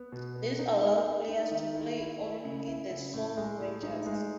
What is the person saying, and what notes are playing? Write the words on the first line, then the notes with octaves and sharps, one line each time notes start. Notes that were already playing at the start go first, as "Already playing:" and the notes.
This allowed players to play only as The Soul Rangers.
Already playing: B3
B2
B3
D#4
G#3
B3
D#4
D#3
E4
E4
E4
C#3
E4
C#3
A2
G#3
A2
D#4
G#3